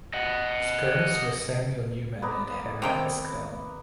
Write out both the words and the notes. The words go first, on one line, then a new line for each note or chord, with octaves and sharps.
His parents were Samuel Newman and Hannah Haskell.
D#5 F#5
B3 A#4 D5
C3 D#3 G5